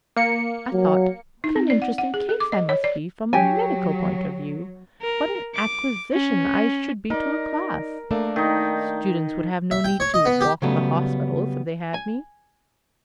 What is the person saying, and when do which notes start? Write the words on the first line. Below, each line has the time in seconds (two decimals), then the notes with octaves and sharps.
I thought what an interesting case I must be from a medical point of view, what an acquisition I should be to a class! Students would have no need to "walk the hospitals," if they had me.
0.17 A#3 C#7
0.73 F#3
1.44 D#4
1.56 C4
1.70 D5
1.82 F#5
1.98 F#5
2.14 G#4
2.29 A4
2.40 D6
2.52 D#5
2.69 C#5
2.84 D5
3.33 F#3 G4 G#5
5.02 A#4
5.55 D6
6.12 C#4
7.10 D#4 A#4 D5
8.11 A3 A#3 D4
8.36 D#3 D#4
9.71 E5
9.84 G5
10.00 C#5
10.14 D#5
10.25 B3
10.41 G4
10.62 C#3 F#3 G3 A3 B3
11.94 G#5